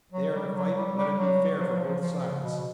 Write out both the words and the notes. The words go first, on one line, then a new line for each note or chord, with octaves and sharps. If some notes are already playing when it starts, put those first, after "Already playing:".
If they are to fight, let it be fair for both sides.
F#3
G3
F#3
G3
G3
F#3
F3
F#3
F3
F3
C#3
B2